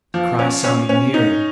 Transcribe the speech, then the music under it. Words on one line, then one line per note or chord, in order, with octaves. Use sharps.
The cries sounded nearer.
F3
C#4
C#4
C#4
D#4